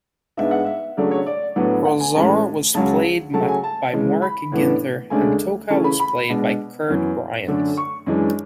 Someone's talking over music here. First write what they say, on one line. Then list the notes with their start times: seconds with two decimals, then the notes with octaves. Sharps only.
Rahzar was played by Mark Ginther and Tokka was played by Kurt Bryant.
0.37 G#2 G#3 B3 D4 E5
0.51 F#5
0.64 E5
0.97 C#3 F#3 A3 D4 D5
1.11 C#5
1.26 D5
1.56 A2 F#3 B3 D4
1.85 F#5
2.00 G#5
2.15 A2 E3 G#3 C#4 A5
2.74 C#2 C#3 F#3 C#4 A5
3.34 C#3 F#3 A3 A5
3.48 G#5
3.64 A5
3.92 C#3 E3 G#3
4.22 B5
4.52 A2 E3 B3 D4
5.10 D2 C#3 G#3 D4 G#5
5.70 C#3 E3 A3 C#4 A5
5.84 B5
6.00 B5
6.29 B2 G#3 D4
6.88 F#2 E3 B3
7.48 F#2 D3 A3 D4
7.77 C#6
8.06 F#2 E3 G#3 D4